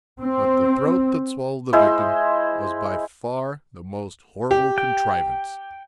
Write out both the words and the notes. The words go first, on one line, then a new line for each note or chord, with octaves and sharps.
But the throat that swallowed the victim was by far the most horrible contrivance.
C4
G#3 E4 C5
G4
G5